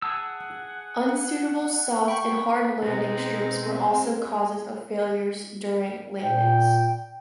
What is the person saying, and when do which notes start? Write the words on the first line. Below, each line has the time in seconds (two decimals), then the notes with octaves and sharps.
Unsuitable soft and hard landing strips were also causes of failures during landings.
0.02 G#4 F#5 A5 E6
2.08 G5 B5 C#6
2.82 B2 G#3 B3 C4 D#4
6.22 A#2 G5